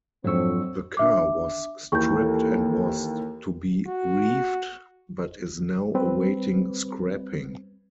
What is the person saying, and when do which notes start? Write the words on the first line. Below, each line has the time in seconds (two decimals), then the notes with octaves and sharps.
The car was stripped and was to be reefed, but is now awaiting scrapping.
0.24 F2 G#2 F3 F#3 C4 D4 C#6 E6
0.97 D4 E5 D6
1.92 D#2 E3 C#6 G6
2.21 A4
3.88 F#4
5.94 G3 C4 B4